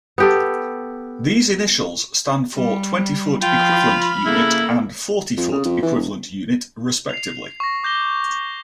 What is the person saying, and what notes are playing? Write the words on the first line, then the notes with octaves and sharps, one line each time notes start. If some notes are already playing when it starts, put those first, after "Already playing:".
These initials stand for "twenty-foot equivalent unit," and "forty-foot equivalent unit," respectively.
B3 G4 A4
G3
F3 F4 G5 B5 F6
C#3 A#3 E4 A4
F2
C#3
F2
E3
E1
C7 F7
C#6 A#6
D6 G6 A#6 G7